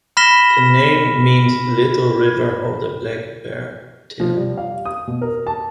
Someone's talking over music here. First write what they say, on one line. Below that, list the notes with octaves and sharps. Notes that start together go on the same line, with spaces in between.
The name means "little river of the black bear tail".
B5 F6 A#6 B6 E7 G7
F3
G3
F5
D#6
B2
A#4
A5